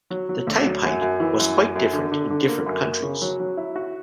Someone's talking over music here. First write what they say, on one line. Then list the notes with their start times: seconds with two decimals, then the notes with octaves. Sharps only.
The type-height was quite different in different countries.
0.10 F#3
0.29 F#3
0.47 D2
0.66 F#3
0.84 F#2
1.02 F#2
1.20 E3
1.39 F#2
1.57 F#2
1.76 F#2
1.93 D3
2.12 D3
2.30 D3
2.48 A#3
2.66 F#2
2.84 A#3
3.03 C#3
3.22 F#3
3.40 F#3
3.57 E4
3.76 F#4